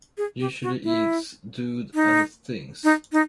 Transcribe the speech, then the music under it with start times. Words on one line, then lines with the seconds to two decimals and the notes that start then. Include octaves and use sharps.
Usually eats Dood and his things.
0.18 G#4
0.40 G4
0.63 F#4
0.84 E4
1.94 D#4
2.84 D#4
3.12 D#4